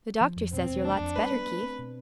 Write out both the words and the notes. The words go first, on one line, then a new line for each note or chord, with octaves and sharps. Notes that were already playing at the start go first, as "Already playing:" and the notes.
"The doctor says you're lots better, Keith."
F3
F2
B2 C4
E1
A3 D4
F2
G3 B4
B3
A3
C4
B2